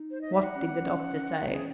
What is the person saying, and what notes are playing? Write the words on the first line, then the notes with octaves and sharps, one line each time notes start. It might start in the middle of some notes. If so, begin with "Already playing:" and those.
"What did the doctor say?"
Already playing: D#4
C5
D#5
E5
F#5
C#4
C4
C#4
C#4
G#4